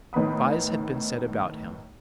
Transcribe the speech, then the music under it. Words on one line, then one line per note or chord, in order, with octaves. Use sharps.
Spies had been set about him.
A2 D#3 B3 B5 D#6